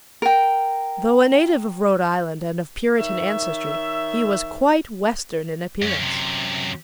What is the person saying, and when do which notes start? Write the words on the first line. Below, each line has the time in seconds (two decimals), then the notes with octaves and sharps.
Though a native of Rhode Island, and of Puritan ancestry, he was quite Western in appearance.
0.22 A#4 G5
2.98 D#3 C#5 E5
5.82 F#2 C#4
5.99 F#2 C3